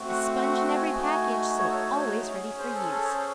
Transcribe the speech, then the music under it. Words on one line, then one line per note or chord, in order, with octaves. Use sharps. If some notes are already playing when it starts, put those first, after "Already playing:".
A sponge in every package, so always READY for use.
Already playing: A3 C4 F#4
F#5
F#5
G#5
A3 D#4 F#4
C#5
A4
C#5
C5
C#5
C#4 G#4
C5
A4
A4
C#5
C5